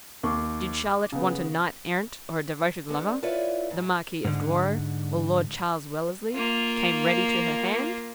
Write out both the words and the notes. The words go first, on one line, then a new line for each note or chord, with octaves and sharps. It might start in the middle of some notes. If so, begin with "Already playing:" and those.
Did Charlotte want a knight-errant, or a devoted lover, the Marquis of Douro, or Lord Charles Wellesley, came ready to her hand.
D#2 C#6 D6
C#3 B3
G#3 B3 D4
E4 F4 B4 C#5 D5 E5
G#2
G#2 D3
A#3 F4